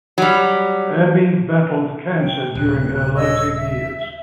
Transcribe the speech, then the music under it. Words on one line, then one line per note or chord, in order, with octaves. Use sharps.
Abi battled cancer during her later years.
F#3 G3
G5
D#1 F#6
C#5 D#5 E6
E5